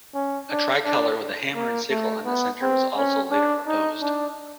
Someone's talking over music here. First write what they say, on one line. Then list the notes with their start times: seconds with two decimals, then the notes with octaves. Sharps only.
A tricolor with the hammer and sickle on the centre was also later proposed.
0.15 C#4
0.50 D4
0.84 D4
1.55 A#3
1.90 A3
2.25 B3
2.62 C4
2.97 C#4
3.31 D4
3.67 D#4
4.01 D4